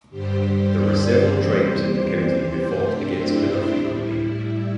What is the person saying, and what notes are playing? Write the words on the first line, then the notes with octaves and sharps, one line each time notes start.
There were several tribes in the country who fought against each other frequently.
G2 D3 G3 G4 C5
A4 D5
C3 E3 G3 G4 C5
C3 A3 G4 C5
D4 G4
E4
A2 G3
E4